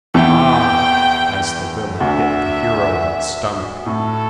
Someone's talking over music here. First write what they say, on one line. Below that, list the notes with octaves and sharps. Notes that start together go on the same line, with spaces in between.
"Ahhhhh," as the villain hit the hero in the stomach....
E2 E3 G5
D2 D3 E5
A2 A4